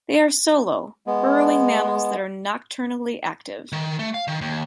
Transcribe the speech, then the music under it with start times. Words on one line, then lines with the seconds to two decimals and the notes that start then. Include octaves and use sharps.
They are solo, burrowing mammals that are nocturnally active.
1.07 G#3 B3
3.72 D#3
3.99 A3
4.14 F5
4.28 D#3
4.41 D#2